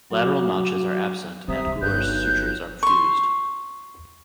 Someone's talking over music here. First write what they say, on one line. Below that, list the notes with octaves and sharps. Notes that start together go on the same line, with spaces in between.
Lateral notches are absent and gular sutures are fused.
F#3 F#4 D6
C3 G3 E5 A#5 D#6
F1 D#4
G1 G2 F#6 G6
B1
C6 C#6